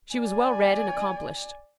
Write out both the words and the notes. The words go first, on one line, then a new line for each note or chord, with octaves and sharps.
She was well read and accomplished.
D5 G#5